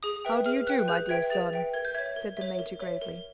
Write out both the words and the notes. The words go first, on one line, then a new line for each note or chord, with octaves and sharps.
"How do you do, my dear son?" said the major gravely.
G#4 D#6
B4 E5 G5
G#4 F6
B4 E5 G5 F#6
F#6
G#4 G6
B4 E5 G5 G#6
G#4 A6
B4 E5 G5
A#4 G#6
G6
C#5 E5 G#6
G#6
A#4
C#5 E5
A#4
C#5 E5
A#4